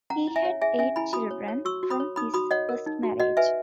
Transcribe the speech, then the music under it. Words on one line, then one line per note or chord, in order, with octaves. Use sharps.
He had eight children from his first marriage.
C#4 F#5 A#5
E4
E5 G#5
C#5
G#4 E5 G#5
C#4 E5 G#5
E4 G#5 B5
F#4 B5 D#6
C#5
C#5
F#4 C#6 E6
F#4
B5 D#6
C#5
D#4 B5 D#6
F#4 B5 D#6
C#5 D#5 F#5
A#4
D#4
F#4
F#4 D#5 F#5
B4 E5 G#5